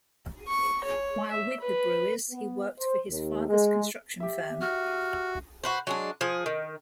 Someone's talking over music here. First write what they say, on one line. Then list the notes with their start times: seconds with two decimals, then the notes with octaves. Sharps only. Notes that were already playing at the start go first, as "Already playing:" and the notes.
While with the Brewers, he worked for his father's construction firm.
0.48 C#6
0.85 C#5
1.31 E5
1.61 B4
2.31 B3
2.78 C5
3.09 D#2
3.48 G#3
4.20 G4 E5
4.61 F#4 F6
5.64 F#4 B4 C5
5.87 F#3 G#3 D4
6.21 F3 G#4
6.46 D#3